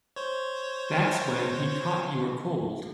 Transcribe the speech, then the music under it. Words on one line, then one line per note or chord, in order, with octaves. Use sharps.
That's when he caught your cold.
C5 C#5